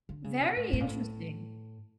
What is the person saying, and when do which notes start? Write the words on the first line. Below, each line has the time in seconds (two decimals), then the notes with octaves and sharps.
Very interesting.
0.09 D3
0.24 C#3
0.40 B2
0.57 A2
0.73 A2
0.81 A#2
0.88 A2